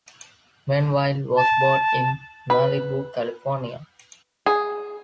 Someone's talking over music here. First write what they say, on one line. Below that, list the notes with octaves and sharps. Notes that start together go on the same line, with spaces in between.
Menville was born in Malibu, California.
A5
B4
G#4